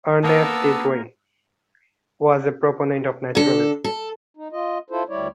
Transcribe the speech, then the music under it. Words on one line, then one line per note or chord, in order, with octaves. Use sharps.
Ernst Didring was a proponent of naturalism.
A#3 B3 A#4 A5 D6 E6
D3 A4
A4
D#4
F4 D#5
E4 F4 A4 C5
D2 G3 E4 C#5 D5